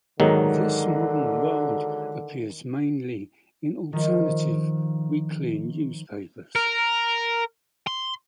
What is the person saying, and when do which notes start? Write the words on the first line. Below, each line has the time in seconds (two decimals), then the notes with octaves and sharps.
"This Modern World" appears mainly in alternative weekly newspapers.
0.20 G#2 D3 D#3 F#3 G#4
3.93 D#3 F3
6.56 A#4
7.87 C6